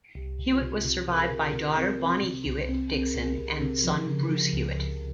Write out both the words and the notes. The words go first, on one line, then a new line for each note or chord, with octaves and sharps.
Hewitt was survived by daughter Bonnie Hewitt Dixon and son Bruce Hewitt.
C2 G4
C2
F4
C3 G4
C3
C3 A#4
G#4
A#4
C3
C3
C4
C4
C3
C2
C4
C4 G#4
A#4
G#4
C2
C2 G4
C3
F3
C#3
F3
C#2